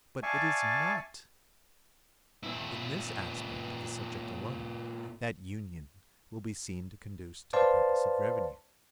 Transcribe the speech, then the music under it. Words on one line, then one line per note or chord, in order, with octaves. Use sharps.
But it is not in this aspect of the subject alone that Union will be seen to conduce to the purpose of revenue.
D5 E5 F5 G#5 A5 C#6
A#2 E4
B4 C5 D5 F5 A5 C6